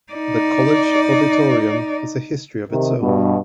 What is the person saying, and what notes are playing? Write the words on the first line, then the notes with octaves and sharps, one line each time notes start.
The college auditorium has a history of its own.
D#4 D5
C3 D#3
G2 B2